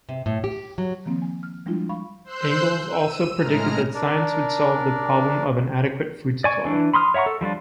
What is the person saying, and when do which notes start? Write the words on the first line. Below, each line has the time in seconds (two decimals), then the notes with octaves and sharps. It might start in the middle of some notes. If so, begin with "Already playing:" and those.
Engels also predicted that science would solve the problem of an adequate food supply.
0.09 C3
0.26 A2
0.44 G4
0.78 F#3
1.05 D#3 F3 A#3 C4
1.22 G#5
1.43 F6
1.66 F3 G3 G#3 D4 E4 F4
1.89 F5 B5 C#6
2.24 C5 C6 E6 F#6 G6
2.87 E6 D#7
3.35 A2 G#3 A#5 F6
3.94 D4 A#4 D5
6.44 D5 G#5 C#6
6.65 E3 D4
6.94 B5 C6 D#6 F6
7.14 C#5 E5 F#5 A#5 C#6
7.26 A4
7.41 F3 G3 D4 F4